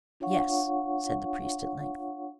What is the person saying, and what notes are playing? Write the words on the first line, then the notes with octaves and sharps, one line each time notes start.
"Yes," said the priest at length.
D4 F4 C#5 F5 F#5 C#6